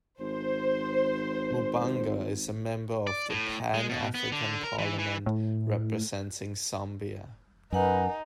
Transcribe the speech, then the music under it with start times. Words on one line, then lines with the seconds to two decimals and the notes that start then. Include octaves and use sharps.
Mubanga is a member of the Pan-African Parliament representing Zambia.
0.20 G#1 C5
3.07 D5
3.30 A2
3.74 G#3
3.89 B2
4.15 B3
4.32 D3
4.63 A#4
4.79 E3
4.99 E3
5.26 A2
7.72 F#2 D#4 A#4 B4 F#5 G#5